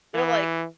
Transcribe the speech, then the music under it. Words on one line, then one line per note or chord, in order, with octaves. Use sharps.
they're like,
E3